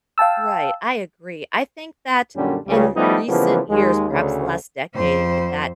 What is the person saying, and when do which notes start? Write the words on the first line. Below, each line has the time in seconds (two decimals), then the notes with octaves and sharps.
Right, I agree, I think that in recent years- perhaps the last decade- that
0.18 F5 G5 A5 E6
2.36 F#2 A#2 D3 G3 C#4
2.67 C#2 C#3 G3
2.96 F3 G3 A3 B3 D#4 E4
3.29 C#3 E3 F3 G3 A#3 B3
3.70 D#2 G#3
4.10 D2 C#3
4.94 F2 C5